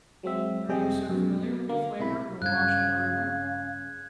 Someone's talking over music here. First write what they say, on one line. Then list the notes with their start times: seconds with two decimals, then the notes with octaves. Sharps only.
'Are you so familiar with the flavour of the wash of the river?'
0.23 F#3 G#3 C4 E5
0.69 F2 C3 G3 G#4 D#5 G5
1.09 F#2 B2
1.43 B2
1.69 D3 A#3
1.99 B1 C3 E4 B5
2.42 G2 C#3 F5 F#6 G#6